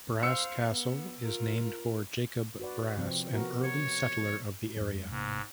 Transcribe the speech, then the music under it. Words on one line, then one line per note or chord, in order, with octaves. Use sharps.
Brass Castle is named for Jacob Brass, an early settler of the area.
C5 F5 E6 C#7
B3
F4 A#4
F#4 B4 D5
C3 F3 C4
B3 F#4 A#4
C#5
F2 G#3
A1 G#2 C3 A#3